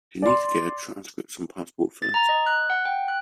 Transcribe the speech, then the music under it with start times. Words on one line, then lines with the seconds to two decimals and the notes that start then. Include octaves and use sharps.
She needs to get her transcripts and passport first.
0.22 D5 C6
2.02 A6
2.14 A#5
2.29 D#5
2.46 F#6
2.70 F#5
2.85 G5
3.08 F#6